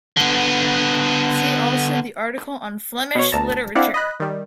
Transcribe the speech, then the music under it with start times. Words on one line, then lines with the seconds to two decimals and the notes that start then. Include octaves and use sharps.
See also the article on Flemish literature.
0.17 D3 B3
3.15 B2 C#5
3.32 D2 A5 A#5
3.75 C4 D4 E4 D5 F5 F#5
3.94 D#5 B5 F#6
4.20 D#3 G3